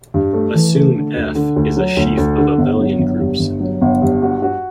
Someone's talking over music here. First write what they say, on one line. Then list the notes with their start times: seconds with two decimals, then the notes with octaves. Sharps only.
Assume "F" is a sheaf of abelian groups.
0.14 G2
0.33 A3
0.54 E3
0.75 A3
0.96 D3
1.16 D2
1.35 D3
1.56 D2
1.77 F#3
1.97 D2
2.17 D2
2.38 D3
2.58 G1
2.79 F#3
2.99 G1
3.20 G2
3.39 G1
3.60 F#3
3.81 G1
4.02 G2
4.22 F#4
4.42 F#4